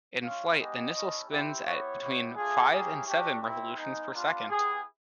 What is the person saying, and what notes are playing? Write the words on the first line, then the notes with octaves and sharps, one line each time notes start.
In flight, the missile spins at between five and seven revolutions per second.
G#3 C#4 F4 F5
G#3 B3 D#4 G4 D#5
A3 C#4 E4
C4 E4 G4
B3 E4 G4 C#5
G3 B3 E4 G4
A3 D4 F4 G#4
A#3 C#4 E4 G4 G#4
A3 D4 F#4 G4
C4 E4 G4
G#3 B3 D#4
G3 B3 D4 F4
B3 E4 G4 G#4